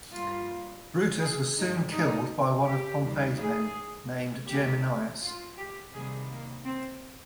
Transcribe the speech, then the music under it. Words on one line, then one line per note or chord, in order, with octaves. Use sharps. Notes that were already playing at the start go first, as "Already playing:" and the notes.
Brutus was soon killed by one of Pompey's men, named Geminius.
G2 G3 A#3 F4
G#4
G#2 D#3 G3 D#4
D#4
G4
D#2 D#3 G3 A#3
G#4
D#2 C#3 G#3 G4
F4
G4
C3 D#3 G3 A#3 G#4
A#3
C4